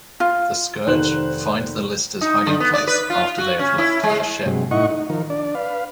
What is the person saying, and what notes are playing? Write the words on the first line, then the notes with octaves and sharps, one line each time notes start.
The Scourge find the Listers' hiding place after they have left for the ship.
F4
F1 D#3 C5 F#6 E7 F#7
D#4
D3
B3
D5
B4
F4
F#4
C#4
E4
G#3
G2 C3 F#3 G#3
A2 D#4 E4 D#5 F#5 C#6
D#4
D#3 F3 A#4
D4 D5
B4 F5